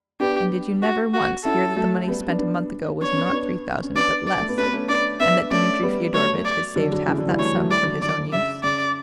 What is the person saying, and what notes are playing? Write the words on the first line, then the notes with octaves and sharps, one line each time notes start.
"And did you never, once, hear that the money spent a month ago was not three thousand, but less, and that Dmitri Fyodorovitch had saved half that sum for his own use?"
B3 D4 G4
F#4
F#4
C#4 E4 A4
F#3 A3
G3 B3
B3 D4
B3 D4
B3 D4 C#5
C#4
B3 D4
B3 D4
C#4
B3 D4 D5
D5
A3
B3
A3 C#4 B4
B3
A3 C#4
B3 D4 D5
B3 D4 E5
A3 C#4 D5
G3 B3
F#3 A3 C#5
D5
D3 F#3
D3 F#3
C#3 E3
D3 F#3
E3 G3
F#3 A3 C#5
F#3 A3
E3 G3 D5
D3 F#3
D3 D5
C#3 E5
C#3 D5